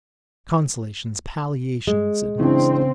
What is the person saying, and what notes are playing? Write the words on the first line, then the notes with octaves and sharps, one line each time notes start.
Consolations, palliations at most.
G#3
C#3 E3 C4 D4